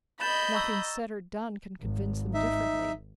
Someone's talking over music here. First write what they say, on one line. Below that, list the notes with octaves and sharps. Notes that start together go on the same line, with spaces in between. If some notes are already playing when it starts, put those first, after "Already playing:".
Nothing said or done can convince them differently.
D#5 B5 G6 A6 E7
A#5 C#6 E6
G#1
D#4 E5